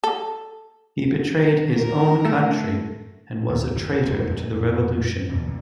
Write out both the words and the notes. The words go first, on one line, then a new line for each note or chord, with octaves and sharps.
He betrayed his own country and was a traitor to the revolution.
A4
A#4
A3
D#2
F#1
D#1 F#2 G#3
F2 A#2 C#3
E2 G2 B2 E3
D2 A#2 D3